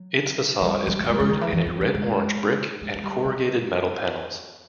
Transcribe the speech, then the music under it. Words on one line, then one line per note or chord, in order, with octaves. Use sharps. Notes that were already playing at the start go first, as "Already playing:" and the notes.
Its facade is covered in a red-orange brick and corrugated metal panels.
Already playing: F#3
F#3
G3
G3
G3
G#3
G#3
D#3
E3
E3
F#3
G3
G#3
G#3
G#3
G3
G3